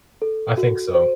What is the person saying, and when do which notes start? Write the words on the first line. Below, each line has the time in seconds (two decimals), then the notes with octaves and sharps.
I think so.
0.22 A4
0.57 F#4
0.95 C5